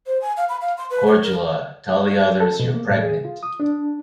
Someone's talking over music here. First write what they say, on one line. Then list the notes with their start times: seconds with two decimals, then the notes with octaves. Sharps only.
"Cordula: Tell the others you're pregnant!".
0.06 C5
0.21 G#5
0.37 F5
0.49 B5
0.61 F5
0.77 C6
0.90 B4
1.07 C#5
1.22 A#4
2.40 A4
2.60 B2
2.74 A#3
2.90 A2
3.02 G#4
3.25 F4
3.43 D#6
3.60 D4